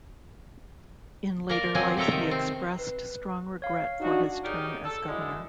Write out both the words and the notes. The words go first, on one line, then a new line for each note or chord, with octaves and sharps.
In later life he expressed strong regret for his term as governor.
A#3 A#4 D5
F3 F#3 C4 D#5 G#5
C3 F3 A4 A#4 E5 A#5
D#3
C4
B4
C#5 F5
D4 D#4 F#4
D#4 G4 G#4 A#4 C#5 D5
A4
F#2 D3 D#3 G#3 E4